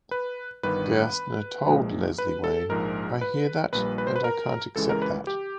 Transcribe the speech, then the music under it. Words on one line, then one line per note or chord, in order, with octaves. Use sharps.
Gerstner told Leslie Wayne, I hear that and I can't accept that.
B4
G1 G2 D#3 G3 B4
A#1 A#2 F3 G#3
B4
A4
A#1 G#2 F3 G#3 A#4
B4
A#1 A#2 G3 B4
B4
C5
B4
A#4
C#2 C#3 E3 G#3 A4
A#4
B4
G4